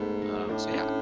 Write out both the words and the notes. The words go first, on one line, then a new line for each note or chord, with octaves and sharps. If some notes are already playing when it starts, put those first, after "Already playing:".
Um, so yeah.
Already playing: G#2 A3 B3
D#4
A2 D4
C#4